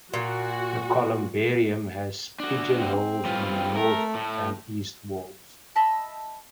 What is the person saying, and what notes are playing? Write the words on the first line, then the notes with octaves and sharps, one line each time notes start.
The columbarium has pigeon holes in the north and east walls.
A#2 F#4
D4 F#4
C4
G3 F4 B4
A3 A#4
A2
D#5 E5 A5 B5